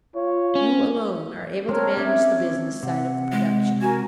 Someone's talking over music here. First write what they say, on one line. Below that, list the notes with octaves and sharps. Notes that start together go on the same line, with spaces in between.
You alone are able to manage the business side of the production.
F4 C#5
C#4
G#3 C4 D4 A#4 C#5 F6
G#3 C4 C#4 E5 C#6 D6 G#6
C3 F#5
G#3
F#4 A#4 G#5 G#6